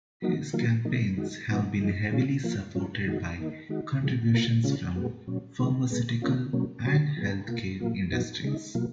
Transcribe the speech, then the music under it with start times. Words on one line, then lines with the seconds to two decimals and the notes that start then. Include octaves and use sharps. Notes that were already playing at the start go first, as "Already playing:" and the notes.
His campaigns have been heavily supported by contributions from pharmaceutical and health care industries.
0.22 F#3 A#3 D#4 F#4
0.53 D#3 F#3 A#3 F4
0.85 F3 A#3 D#4
1.17 D#3 G#3 D#4 F#4
1.49 A#2 F3 B3 D#4
1.80 F3 G#3 D#4
2.11 D#3 G#3 C#4 F4
2.43 F3 A#3 F4
2.75 F#3 C#4 F4
3.06 D#3 G#3 D#4 F#4
3.38 D#3 A#3 D#4
3.69 D#3 G#3 D#4 F#4
4.01 C#3 F3 G#3
4.33 B2 A#3 F4
4.64 C#3 G#3 C#4 F4
4.96 A#2 G#3 B3 F#4
5.27 A#2 F#3 C#4
5.59 C#3 F3 G#3 B3 D#4
5.91 B2 G#3 B3
6.22 D#3 A#3 C#4 F4
6.53 B2 F#3 A#3 C#4
6.86 A#2 F#3 C#4 F#4
7.17 F3 G#3 B3
7.48 B2 A#3 F4
7.80 A#2 F#3 A#3 F4
8.11 A#2 F3 B3 D#4 F#4
8.43 C#3 G#3 D#4
8.75 B2 F#3 A#3 F4